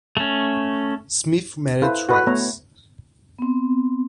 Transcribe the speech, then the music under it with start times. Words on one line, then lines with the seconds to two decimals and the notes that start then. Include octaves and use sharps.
Smith married twice.
0.17 A3 C#4
1.82 E4 A4 B4 C5 F5
2.09 F#4 A4 B4
2.27 A3 B3 C#5 A#5
3.39 B3 C4